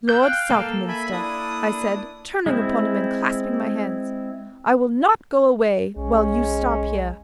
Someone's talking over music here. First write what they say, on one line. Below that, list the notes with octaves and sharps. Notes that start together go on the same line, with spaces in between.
'Lord Southminster,' I said, turning upon him and clasping my hands, 'I will not go away while you stop here.
E6 F#6 G6
F5 G5
A#3 A4
E5 G#5 B5
D4 E4 D#6
G#3 C4 E4
B1 G#3 C#4